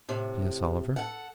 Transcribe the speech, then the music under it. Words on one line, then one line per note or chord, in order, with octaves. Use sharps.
"Yes, Oliver?"
A2 C3
A4 F#5